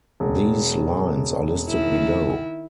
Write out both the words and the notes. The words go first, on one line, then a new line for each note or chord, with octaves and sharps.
These lines are listed below.
E1
D#3 E4